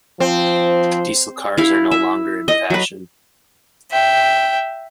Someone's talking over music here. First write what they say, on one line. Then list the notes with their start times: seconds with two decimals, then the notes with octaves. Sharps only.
Diesel cars are no longer in fashion.
0.20 F3 C4
1.58 E4 F5
1.91 E5
2.48 D#5
2.70 F#3 B4
3.91 E5 G5